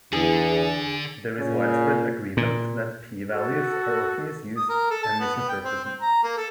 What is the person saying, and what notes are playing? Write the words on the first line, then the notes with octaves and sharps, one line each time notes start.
There is widespread agreement that "p"-values are often misused and misinterpreted.
E2 D3 D4 G#4
A#2 C#3 C#4
A#2
F#4 A4
D#6
A#4
A4
A5
B3
B3
G5
C4
C4
A#5
A#3
A4